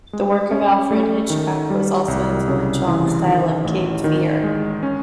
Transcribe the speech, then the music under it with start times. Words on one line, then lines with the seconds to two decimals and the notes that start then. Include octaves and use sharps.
The work of Alfred Hitchcock was also influential on the style of "Cape Fear".
0.13 G#3
0.51 C#4
0.91 A3
1.30 D#3
1.70 G3
2.08 C2
2.48 C#3
2.87 E3
3.26 D#3
3.64 A1
4.04 D#3
4.43 G#3
4.83 C#4